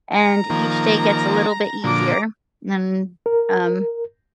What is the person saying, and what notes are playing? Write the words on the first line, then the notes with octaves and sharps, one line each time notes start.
and each day gets a little bit easier. And, um,
A#5
D#3 F3 A#3
A#2 D3 F3 A#5 D6
A#4